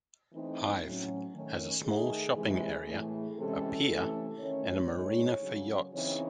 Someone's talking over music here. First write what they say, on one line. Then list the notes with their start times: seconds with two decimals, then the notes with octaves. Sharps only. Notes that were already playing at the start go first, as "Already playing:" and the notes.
Hythe has a small shopping area, a pier, and a marina for yachts.
0.32 E3 A3 C4 D#4
0.83 A2 F#3 C#4
1.34 D#3 A3 C#4
1.84 D#3 A3 D#4 G#4
2.35 C3 E3 G#3 G#4
2.86 A2 E3 A3
3.37 C3 E3 G#3 C#4 A4
3.89 C3 E3 A3 C#4
4.39 D#3 A3 C#4 C#5
4.91 A2 G#3 D#4
5.41 C#3 F#3 C#4
5.92 C#3 E3 C4 D#4 C#5